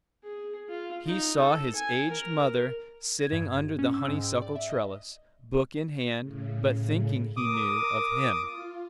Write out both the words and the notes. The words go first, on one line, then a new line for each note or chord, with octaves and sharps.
He saw his aged mother sitting under the honeysuckle trellis, book in hand, but thinking, he knew, of him.
G#4
F4
D#4
A4
G#5
A#4
G#6
G2
G1
C#4
E6
G#2
G5
D5
E5
D#5
A2 C#3
A#4 D6 D#6
F4